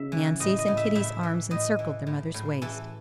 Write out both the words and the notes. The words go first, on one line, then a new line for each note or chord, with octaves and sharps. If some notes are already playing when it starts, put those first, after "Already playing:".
Nancy's and Kitty's arms encircled their mother's waist.
Already playing: C#3 E5
E3
A2 D#5
D#5
A2
E5
A2 E5
E3
A2 D#5
E3
A2
A2
E3 A4